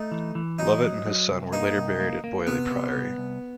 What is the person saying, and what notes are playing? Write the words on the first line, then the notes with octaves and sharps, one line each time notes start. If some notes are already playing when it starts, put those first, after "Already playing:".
Lovat and his son were later buried at Beauly Priory.
Already playing: A3 D#4
E3
E3
F#3 D#4
F#3
F#3
C2
A#3 D#4
C2
A#3
A#3
C3 B3
C3
C2
C2